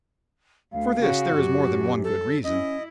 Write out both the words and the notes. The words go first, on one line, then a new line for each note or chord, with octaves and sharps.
For this there is more than one good reason.
D2 F5
C#3 F#4
F#2 G4
A4
C#4 E4 D#5